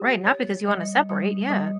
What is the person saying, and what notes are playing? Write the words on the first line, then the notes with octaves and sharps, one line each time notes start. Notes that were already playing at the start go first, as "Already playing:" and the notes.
Right, not because you wanna separate. Yeah.
Already playing: G4
C#5
G3
G3
G3